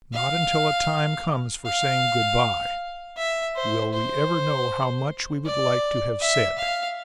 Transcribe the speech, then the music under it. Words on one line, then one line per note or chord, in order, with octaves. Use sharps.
Not until a time comes for saying good-bye will we ever know how much we would like to have said.
F5
F5
E5
C5
C5
D5
E5
F5